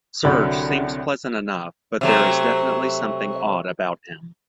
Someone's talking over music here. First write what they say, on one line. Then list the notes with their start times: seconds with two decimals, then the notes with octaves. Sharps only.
Serge seems pleasant enough, but there is definitely something odd about him.
0.25 C2 D3 F#3 C#5 F#5 B5
2.01 C3 F#3 A3